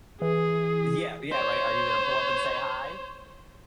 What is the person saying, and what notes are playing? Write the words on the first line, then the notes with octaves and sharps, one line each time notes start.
Yeah, yeah, right. Are you gonna pull up and say hi?
E3 G#4
C5 C#5